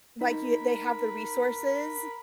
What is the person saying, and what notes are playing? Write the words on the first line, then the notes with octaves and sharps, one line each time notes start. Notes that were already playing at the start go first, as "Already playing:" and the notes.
like you they have the resources
D#4 A#4 B5